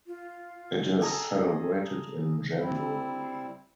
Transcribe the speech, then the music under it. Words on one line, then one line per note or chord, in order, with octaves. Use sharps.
It is celebrated in January.
F4
G#4 A4 A#5
G3 C4 E4